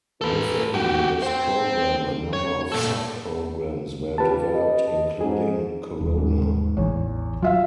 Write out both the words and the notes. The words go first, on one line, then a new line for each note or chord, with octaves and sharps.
Within this program a number of sub-programs were developed including Corona.
A4 B4
F#4 G4
C5 G5
C#5
A#2 A4
C#4 F4 G4 B4 A5
D#5
G#2 E3 C#4 G#4
D#1
G#2
A1 E2 C#5
F#3 F4 E5 F5